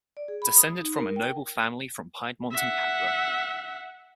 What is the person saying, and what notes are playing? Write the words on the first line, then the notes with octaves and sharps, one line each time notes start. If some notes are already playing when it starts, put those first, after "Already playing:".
Descended from a noble family from Piedmont and Capua.
D5
G#4
B5
D#6
D#4
A#4
G5
E5 F#5